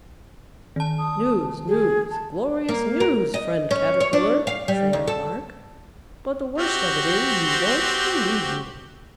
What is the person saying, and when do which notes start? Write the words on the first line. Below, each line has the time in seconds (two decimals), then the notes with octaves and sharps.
"News, news, glorious news, friend Caterpillar!" sang the Lark; "but the worst of it is, you won't believe me!"
0.76 D#3 A5
0.99 D#6
1.68 G#4
2.11 A5
2.69 A#3
3.00 A#4
3.34 D#5
3.71 C#4
4.00 C#5
4.13 D4
4.47 F5
4.68 G3
4.93 D#2
5.07 A4
6.58 C4 F#4 G4